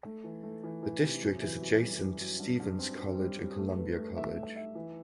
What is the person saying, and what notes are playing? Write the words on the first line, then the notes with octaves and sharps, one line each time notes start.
The district is adjacent to Stephens College and Columbia College.
A3
E3
A3
E3
E3
C3
F#2
E3
F#2
G3
G3
F#2
G2
G2
C4
C4
G3
G3
A3
B4
A3
E5
A3
E5
E3